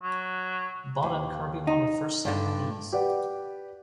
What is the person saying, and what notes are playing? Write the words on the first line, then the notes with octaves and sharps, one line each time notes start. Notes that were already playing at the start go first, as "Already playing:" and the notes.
Bond and Kirby won the first set with ease.
F#3
D#2
D#4
G2 D3
G4 B4 D5 F#5